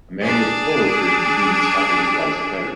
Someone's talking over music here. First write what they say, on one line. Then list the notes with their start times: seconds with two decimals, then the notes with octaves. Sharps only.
A man with a polo shirt and jeans happily flies a kite.
0.22 D4 G#4